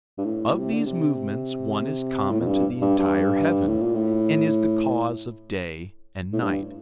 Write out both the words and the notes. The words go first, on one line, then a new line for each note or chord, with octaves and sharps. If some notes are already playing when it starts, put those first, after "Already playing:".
Of these movements, one is common to the entire heaven, and is the cause of day and night.
G2
A2
C3
D3
C3
A2
F2
G2
G2
G2
A2
A#2
A2
A2
G2